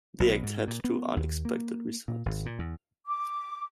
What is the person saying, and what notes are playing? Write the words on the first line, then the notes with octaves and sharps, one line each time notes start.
The Act had two unexpected results.
B1
G#2
A#2
B3
D#2
A#3
A#2
G#1
A#2
E2
D6